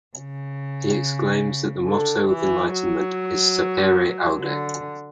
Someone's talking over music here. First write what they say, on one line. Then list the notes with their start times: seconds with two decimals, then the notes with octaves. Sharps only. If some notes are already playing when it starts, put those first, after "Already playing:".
He exclaims that the motto of enlightenment is "Sapere aude"!
0.16 C#3
1.86 D3
2.28 E3
2.70 F#3
4.40 D3